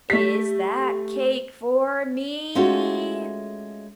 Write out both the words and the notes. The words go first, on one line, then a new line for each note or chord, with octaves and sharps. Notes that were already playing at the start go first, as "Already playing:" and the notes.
'Is that cake for me?'
A3 G4 B6
G#3 A3 C#4 F4 F#4